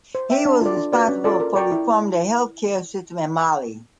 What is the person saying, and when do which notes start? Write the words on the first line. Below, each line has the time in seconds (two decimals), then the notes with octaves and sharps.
He was responsible for reforming the healthcare system in Mali.
0.15 C5
0.30 E5 G5
0.45 D4
0.61 F4 A4 D5
0.77 D4
0.93 F#4 B4 D5
1.08 C#4
1.24 F4 A4 D5
1.40 A#4
1.55 D5 G5 A#5 C#6
1.72 E4